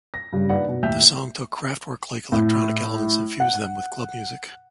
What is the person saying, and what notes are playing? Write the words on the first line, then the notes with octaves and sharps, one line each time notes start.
The song took Kraftwerk-like electronic elements and fused them with club music.
A#6
G2 C#3 G3
A#3 D4 D#4 B4 D5 F#5
B2
D#2 A2 E5 G5 G6 F7
A2
F#5